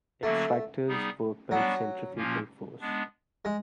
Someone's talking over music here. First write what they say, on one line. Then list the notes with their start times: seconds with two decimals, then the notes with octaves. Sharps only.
Extractors work by centrifugal force.
0.23 D3 F#3 A3 A#3 C#4 F#4
0.87 G3 B3 D#4 G#4
1.51 F#3 G3 B3 D4 F#4
2.16 A#2 F3 A#3 C#4 F4
2.80 G#3 B3 D4
3.45 G#3